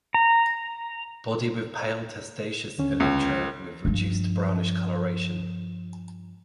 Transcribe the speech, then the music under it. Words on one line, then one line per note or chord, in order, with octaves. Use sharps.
Body with pale testaceous elytra with reduced brownish coloration.
A#5
D#2 D3 C#4
C#2
G2 F3